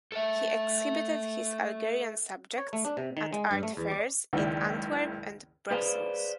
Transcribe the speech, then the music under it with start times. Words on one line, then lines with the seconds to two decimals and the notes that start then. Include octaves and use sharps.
He exhibited his Algerian subjects at art fairs in Antwerp and Brussels.
0.12 A4 E5
2.58 C#5
2.73 A3
2.85 D4
2.97 C3
3.17 D#3
3.33 G#3
3.51 G2
3.63 A3
3.77 E2
3.91 D5
4.33 F#1 C#2 D#3 E4 D5 G5
5.71 G#4 B4 C5 D5 F5